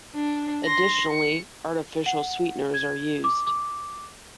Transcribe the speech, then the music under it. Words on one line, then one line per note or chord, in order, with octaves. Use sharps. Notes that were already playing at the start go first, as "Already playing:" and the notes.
Additionally, artificial sweeteners are used.
D4
C6 A#6
C#7
F#5
G#6
D6
D6